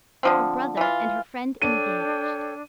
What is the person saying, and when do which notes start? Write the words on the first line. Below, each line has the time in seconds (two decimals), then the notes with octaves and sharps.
Her brother and her friend engaged!
0.23 D3 F3 C4
0.77 E3 F4
1.62 D4 A4 C#5 G5 D#7